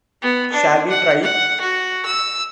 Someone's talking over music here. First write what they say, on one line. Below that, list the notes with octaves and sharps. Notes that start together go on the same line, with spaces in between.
Shall we try it?
B3
D4
F#5
F#5
F#4
E6